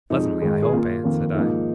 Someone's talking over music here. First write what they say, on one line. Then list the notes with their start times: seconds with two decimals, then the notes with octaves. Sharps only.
'Pleasantly, I hope, aunt?' said I.
0.10 F2 F3 G#3 D#4
0.42 G#2 D#3 G#3
0.63 G#4
0.73 A#2 A#3 F4
1.04 F2 D#3 A#3
1.35 G#2 F3 A#3 D#4